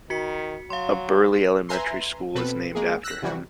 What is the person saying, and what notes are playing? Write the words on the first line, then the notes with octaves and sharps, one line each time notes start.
A Burley elementary school is named after him.
D#3 F#4 B6 C#7
F#3 F5 C6
B4 E5 G#5 A#5 C6
B2 C4 A4 B4
G#3 A#3 G#4
E6 F#6 A#6 B6
C3 E3 G3 F#4